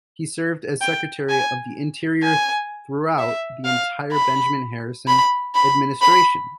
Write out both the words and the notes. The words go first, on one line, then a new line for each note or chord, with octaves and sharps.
He served as Secretary of the Interior throughout the entire Benjamin Harrison administration.
G5
G#5
G#5
E5
F5
B5
B5
B5
B5